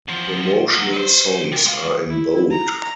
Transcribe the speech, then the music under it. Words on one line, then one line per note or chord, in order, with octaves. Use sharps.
Promotional songs are in bold.
E2 F3
F#3 A#3
B4 C5
C3 A#4
G#3 F5
E4
A#5